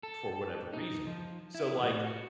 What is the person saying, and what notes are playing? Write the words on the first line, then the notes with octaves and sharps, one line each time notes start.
for whatever reason. So, like,
A4
D#4
F3
E4
A2
F#4